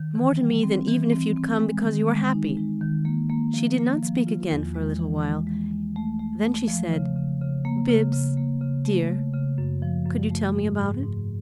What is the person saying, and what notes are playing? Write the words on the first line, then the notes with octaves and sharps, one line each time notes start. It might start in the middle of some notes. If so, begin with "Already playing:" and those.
It's more to me than even if you'd come because you were happy." She did not speak again for a little while; then she said: "Bibbs--dear--could you tell me about it?
Already playing: D#3
E3
G3
C4
E3
C4
C4
G#3
D#3
G#3
D#4
G#3
D#3
A#3
A#3
F3
A#3
F3
F4
E2
G#3
E3
G#3
G#3
G#3
A3
A3
A3
F3
C#3
C#3
C#3
A#3
C#3
C#3
A#3
C#3
A3
C#3
C#3
F#2
F3
F#2
A3
G#2
G#2
G#2